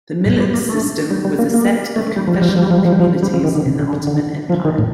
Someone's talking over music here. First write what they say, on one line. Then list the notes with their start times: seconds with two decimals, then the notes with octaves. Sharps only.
The Millet system was a set of confessional communities in the Ottoman Empire.
0.26 A2
0.40 G3
0.54 A#3
0.69 A3
1.10 G3
1.25 G3
1.39 A#3
1.54 A#3
1.96 A3
2.07 A3
2.16 G3
2.28 F3
2.34 G3
2.42 F3
2.48 G3
2.57 F3
2.63 G3
2.71 F3
2.78 G3
2.85 F3
2.92 G3
3.00 F3
3.23 G3
3.34 F3
3.44 D#3
3.55 D3
3.66 C3
3.79 D3
3.93 D3
4.07 D3
4.49 F3
4.65 D#3
4.78 A2